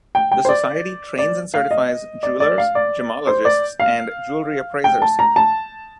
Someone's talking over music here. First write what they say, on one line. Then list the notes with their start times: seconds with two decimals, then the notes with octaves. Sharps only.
The Society trains and certifies jewelers, gemologists, and jewelry appraisers.
0.15 G5
0.32 G5
0.45 C5
0.49 D5
1.18 D5
1.54 F5
1.71 D#5
2.23 D5
2.40 D5
2.58 F5
2.75 D5
3.27 C5
3.45 D5
3.80 F5
4.84 G5
5.02 A5
5.19 A#5
5.36 A5